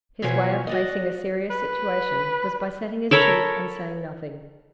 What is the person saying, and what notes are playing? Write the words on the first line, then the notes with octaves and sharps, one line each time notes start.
His way of facing a serious situation was by setting his teeth and saying nothing.
B2 E3 F3 C#5 F5 G#5
F#4 D5 D#5
B4
A4 A#4 C#5 B5